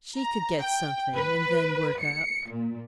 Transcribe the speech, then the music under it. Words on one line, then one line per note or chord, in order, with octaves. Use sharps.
She could get something and then work up.
A#5
G5
B4
C#7
A#2